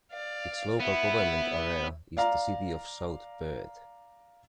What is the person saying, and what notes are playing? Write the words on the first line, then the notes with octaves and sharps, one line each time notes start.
Its local government area is the City of South Perth.
D5 F5
B3 E4
D5 F5 A#5